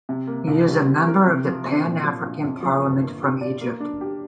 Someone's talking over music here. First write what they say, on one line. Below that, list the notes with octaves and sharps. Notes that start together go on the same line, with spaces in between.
He is a member of the Pan-African Parliament from Egypt.
C3
A#3
C2
G3
C4
A#4
C3
F3
C4
A#2
F3
A#1
F2
F3
G1
A#3
G4
D5
A#3
D4
G4